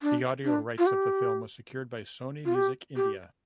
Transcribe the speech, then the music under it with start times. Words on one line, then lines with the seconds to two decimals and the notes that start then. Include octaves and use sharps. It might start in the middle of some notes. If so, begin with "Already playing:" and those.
The audio rights of the film was secured by Sony Music India.
0.02 D4
0.45 D4
0.79 F4
0.86 G4
2.45 F4
2.55 G4
2.96 G4